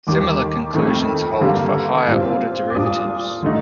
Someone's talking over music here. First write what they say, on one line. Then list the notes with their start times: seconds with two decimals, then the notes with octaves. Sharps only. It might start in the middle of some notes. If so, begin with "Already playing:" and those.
Similar conclusions hold for higher order derivatives.
0.07 D#2 D#3 G3 D6
0.74 F2 D#3 A3
1.41 G2 D3 G3 A#3
2.08 A#2 G3 C4 F4
2.70 D6
2.75 A#2 G3 D4 D#6
3.43 D3 A3 D#4